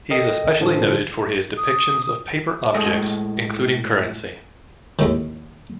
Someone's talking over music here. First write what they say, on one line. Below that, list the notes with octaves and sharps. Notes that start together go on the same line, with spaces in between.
He is especially noted for his depictions of paper objects, including currency.
A4 A#4 D#5 G5
A2 D3 E3 F3
D#6
A2 G#3 A4 D#5
D#2 A2 D#3